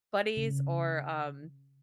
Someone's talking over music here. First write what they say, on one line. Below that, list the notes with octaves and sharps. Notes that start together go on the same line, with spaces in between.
Buddy's or, um,
C#3